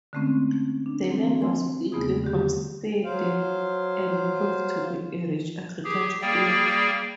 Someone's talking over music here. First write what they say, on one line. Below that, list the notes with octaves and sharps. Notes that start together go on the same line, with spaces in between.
The land was quickly homesteaded and proved to be a rich agricultural area.
D3 G#3 A3 C4 C#4
D4
E3 C4
G#5 C6
E2 C#3 A3 B3 G#4 D#6
D3 G4
F#3 C5 F5
G4 G#4
G3 A#3 G#4 D5 G5